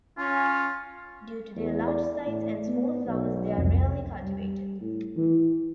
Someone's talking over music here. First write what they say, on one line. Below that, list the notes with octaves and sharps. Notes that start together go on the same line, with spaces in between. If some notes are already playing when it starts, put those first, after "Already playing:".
Due to their large size and small flowers, they are rarely cultivated.
C#4 F4
E2
D5
A2
B3
B1
C2 F2
G3
A2
E3